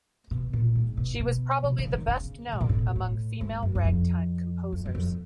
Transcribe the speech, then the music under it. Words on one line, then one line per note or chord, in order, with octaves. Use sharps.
She was probably the best known among female ragtime composers.
B2
A#2
G#2
B2
B2
C3
C#3
D#3
C#3
A2
A#2
A2
A2
G#2
F#2
F#2
F2
F2
F#2
F2